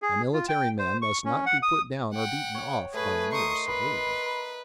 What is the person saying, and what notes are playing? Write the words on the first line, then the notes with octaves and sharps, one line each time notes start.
A military man must not be put down or beaten off by a mere civilian.
G#4
F4
G5
C5
C#6
C#4
F#5
D#6
F#5 G5
C#5
A3 G#4 B4
D#4 A#4 C6 C#6 D#6
B4 D#5 B5